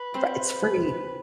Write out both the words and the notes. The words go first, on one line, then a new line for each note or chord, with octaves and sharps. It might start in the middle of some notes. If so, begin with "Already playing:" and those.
Right, it's free.
Already playing: B4
C4 C5